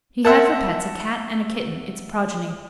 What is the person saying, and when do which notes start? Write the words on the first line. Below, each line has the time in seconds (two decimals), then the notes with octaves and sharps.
He had for pets a Cat and a kitten, its progeny.
0.25 A#4 E5 F#5 A5